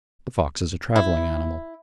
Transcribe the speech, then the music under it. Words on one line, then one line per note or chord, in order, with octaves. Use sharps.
The fox is a travelling animal.
E4